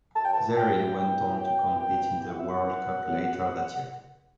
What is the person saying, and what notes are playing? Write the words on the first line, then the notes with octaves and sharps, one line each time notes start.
Zaire went on to compete in the World Cup later that year.
F#2 A5
G5
E3 A5
A5
F#2 G5
E3
E3 G5
E3
F#2 G5
E3
F#2 G5
E3
E3 G5
F#5
F#2 E5
F#5
E3
F#2
F#2
F#2